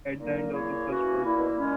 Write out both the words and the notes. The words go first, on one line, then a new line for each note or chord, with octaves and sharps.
At the end of the First World War.
A#2 F#3 A#3 D#4 A#4
A#2 A#3 E4 G#4 C#5
E3 A#3 C#4 F#4
A#2 A#3 E4
A#2 G#3 C#4